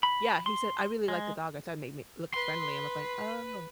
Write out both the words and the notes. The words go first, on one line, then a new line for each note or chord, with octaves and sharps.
Yeah, he said, "I really like the dog, I thought it made me look friendly." I'm like, "Oh, ok"
B5
C6
G#3
B4 C6